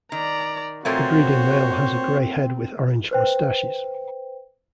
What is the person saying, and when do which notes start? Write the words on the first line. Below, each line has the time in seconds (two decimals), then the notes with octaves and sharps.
The breeding male has a grey head with orange moustaches.
0.12 D#3 D5 A#5
0.85 A#2 A3 A#3 C4 F#4 C5 C#5
3.11 B4 C5 G5